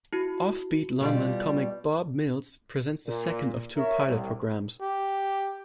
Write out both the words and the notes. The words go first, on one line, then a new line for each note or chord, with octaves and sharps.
Offbeat London comic Bob Mills presents the second of two pilot programmes.
E4 F#4
B2 G3 F4
A#2
E4 A#4 C#5 E5
C2
G4